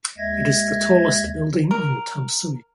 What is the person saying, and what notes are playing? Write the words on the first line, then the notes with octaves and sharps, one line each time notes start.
It is the tallest building in Tamsui.
D#2 G#3 D#5 E5 G#6 A#6
A#4